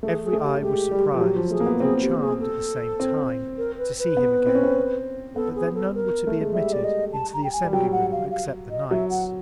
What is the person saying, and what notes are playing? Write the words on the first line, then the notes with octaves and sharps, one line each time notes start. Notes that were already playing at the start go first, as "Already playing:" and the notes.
Every Eye was surpriz'd, tho' charm'd at the same Time to see him again: But then none were to be admitted into the Assembly-Room except the Knights.
A3 G#4
G#4
A3
G4
G#3 G4
G3
F3
F#3 G4
F3
A3 G#4
A#3
B3
C4 G#4
G4
G#4
A4
C4
A#4
B4
B4
B3
C4
C#4
C4
B3 A4
G#4
A4
A#4
A3
G#3
G3 E5
D5
D#5
A5
A#5
G5
G#5
G3
F#3 G5
F#5
F5
F5
D#5
F#3 E5
F#5